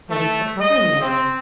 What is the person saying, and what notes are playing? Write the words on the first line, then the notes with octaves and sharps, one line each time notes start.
"What is the trouble, Mary?"
A3
D#5
C4